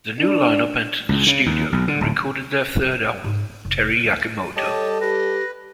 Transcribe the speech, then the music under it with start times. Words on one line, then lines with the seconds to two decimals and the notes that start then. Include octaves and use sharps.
The new lineup entered the studio and recorded their third album "Teri Yakimoto".
0.19 D4
1.09 C#2
1.26 C#3
1.46 D#2
1.72 B1
1.88 D3
2.01 D1
3.24 G#2
3.50 D4
3.65 F1
3.92 A#3
4.05 D#2
4.56 G3 G4 A4 C#5 D#5 A5
5.01 G4 B4 A#6